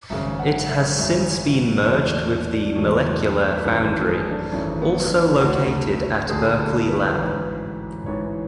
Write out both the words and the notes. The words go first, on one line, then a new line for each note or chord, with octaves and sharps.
It has since been merged with the Molecular Foundry, also located at Berkeley Lab.
G#1 F#2 C#3 G#3 E5
F#5
E5
G#1 F#2 C#3 G#3 E5
C#5
E2 B2 F#3 A3 D5
C#5
D5
E2 B2 F#3 A3 C#5
B4
G#1 F#2 E3 A3 A4
A4
G#4
D4
G#1 F#2 E3 A3 C#4
B3
D4
D2 D3 A3 F#4
D2 D3 A3 G#4
A4
B4
A1 G#2 E3
A1 G#2 E3 C#5